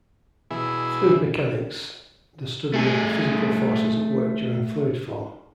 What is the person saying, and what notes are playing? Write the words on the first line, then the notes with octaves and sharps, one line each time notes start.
Fluid Mechanics the study of the physical forces at work during fluid flow.
B2 E3 G#4 E5 B5
A3 G#4